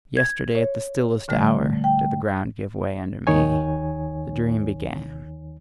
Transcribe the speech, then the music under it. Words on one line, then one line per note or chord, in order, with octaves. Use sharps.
Yesterday at the stillest hour did the ground give way under me: the dream began.
G#6
C#5
A#2 D3 G3 A3
G5
D#2 D#3 D#4 C#5 G#5